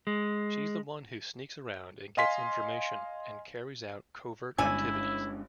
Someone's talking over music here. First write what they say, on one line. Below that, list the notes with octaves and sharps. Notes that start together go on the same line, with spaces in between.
She's the one who sneaks around and gets information, and carries out covert activities.
G#3
D#5 F5 G#5 C6 B6
G1 G#3 C#4 D4 E4 D5 G#5 E6